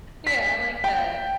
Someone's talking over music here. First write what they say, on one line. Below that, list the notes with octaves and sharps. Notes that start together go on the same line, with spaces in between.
Yeah, I like that.
B6
G5